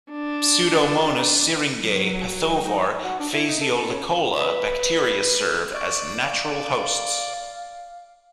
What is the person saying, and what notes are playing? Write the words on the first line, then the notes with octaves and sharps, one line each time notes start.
Pseudomonas syringae pathovar "phaseolicola" bacteria serve as natural hosts.
D4
F#3
D#4
F#4
D4
E4
D#4
A4
A4
C#4
B4
D5 C#6
F5